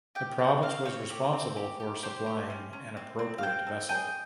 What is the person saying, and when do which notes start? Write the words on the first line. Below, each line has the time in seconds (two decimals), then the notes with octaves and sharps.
The province was responsible for supplying an appropriate vessel.
0.15 G4 G5
0.39 G4
0.62 C4 F5
0.85 C4 C#5
1.10 G4
1.33 C4
1.57 G4
1.80 G4
2.03 G4 C5
2.26 G4
2.50 C#4
2.73 C#4
2.97 C4
3.19 C4
3.38 F5
3.43 C4 G5
3.67 C4
3.89 G#4 G5